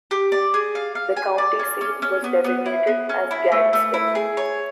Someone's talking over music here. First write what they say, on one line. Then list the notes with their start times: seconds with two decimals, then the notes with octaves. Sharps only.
The county seat was designated as Gadsden.
0.11 G4
0.32 D5
0.54 G#4
0.75 F5
0.95 F5
1.17 G#5
1.38 D5
1.59 C#4
1.81 C#4
2.02 C#4
2.24 B3
2.44 B3
2.66 E4
2.87 B3
3.09 C#4
3.31 E4
3.52 A3
3.73 A3
3.94 E4
4.15 G#4
4.37 C#5